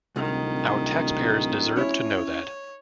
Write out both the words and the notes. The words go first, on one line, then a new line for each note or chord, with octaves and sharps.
Our taxpayers deserve to know that.
D1 C2 D#3
C#4 E4 C#5